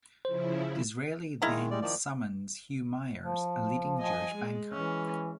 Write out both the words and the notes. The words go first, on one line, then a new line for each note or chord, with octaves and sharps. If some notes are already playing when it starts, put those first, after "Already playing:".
Disraeli then summons Hugh Myers, a leading Jewish banker.
C#3 F3 E4 C5
D#3 G#3 E4 F5 A#5
G3 G#3 D5
D#3 F3 D5
F3
D#5 G#5
G#3
E3 G#3 C#4